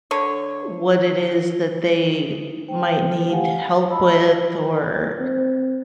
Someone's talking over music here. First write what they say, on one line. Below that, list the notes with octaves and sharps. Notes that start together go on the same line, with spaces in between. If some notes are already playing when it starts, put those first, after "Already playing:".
what it is that they might need help with, or,
D3 C#5
D#4 E4
C5 G5
A3 F4 G4 F5 F#5 G#5
D#5 A5 B5 E6
C4